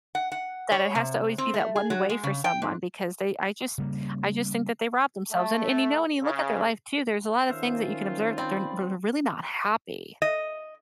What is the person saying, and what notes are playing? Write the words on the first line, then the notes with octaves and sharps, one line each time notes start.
that it has to always be that one way for someone because they I just I just think that they rob themselves, and and, you know, when you look at their life too, there's a lot of things that you can observe that they're they're really not happy.
F#5
F#5
C#5
C3
C4
A3
G#4
F#3
G#3
C#3
G5
G#2
C#3 G3 A#3
A3
C#3
D#3 C#4 F4 A#4 C5 E5
C4 D5 B5 G6
D#5